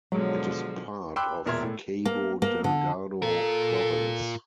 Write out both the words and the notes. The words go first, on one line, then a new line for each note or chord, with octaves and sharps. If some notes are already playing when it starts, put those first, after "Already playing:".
It is part of Cabo Delgado Province.
B2 D3 F3 F#3 G#3
G5 B5 C6 D6 E6 F#6
E1 A#2 A#4 E5 C6 G#6
A2
A#3
A#3
D3
F4 A4 A#4